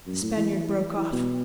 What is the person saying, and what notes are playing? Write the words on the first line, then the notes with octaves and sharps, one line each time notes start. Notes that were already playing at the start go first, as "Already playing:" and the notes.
The Spaniard broke off.
F#2
A2
E3
E3
E3
B2